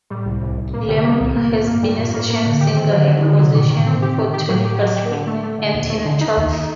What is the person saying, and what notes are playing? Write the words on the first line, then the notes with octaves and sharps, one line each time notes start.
Lamb has been a session singer and musician for Toni Basil and Tina Charles.
A2 G3
C2
C2
C2
A#2 A#3
D3
C3 G3
A#2 A#3
C2 A#2
A2 A#3
A#2
G2 A#3
G3
G2 A#2
A2 A#3
A#3
A#2 D3
D#3 G4
C4
D3 F#3
F#3
D3 D#3
C3 F#3
A#2 D#3
A2 D#3
C4
G4
D#3
G4
A2 F#3
G4
F#3
G4
D3
A3
A3
D3
D#2 A#2
A3
D3
D#4
D#2
D#4